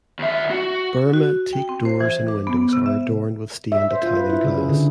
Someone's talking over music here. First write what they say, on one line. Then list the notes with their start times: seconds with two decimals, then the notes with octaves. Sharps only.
Burma teak doors and windows are adorned with stained Italian glass.
0.19 D#2 E5
0.51 F#4
1.13 F#4
1.53 G5
1.69 C4
1.85 C5
2.01 E3
2.28 D6
2.47 B3
2.73 C3
2.86 E5
3.72 E5
3.91 C5
4.03 F4
4.17 B4
4.30 E4
4.44 C#3
4.57 G#4
4.69 D3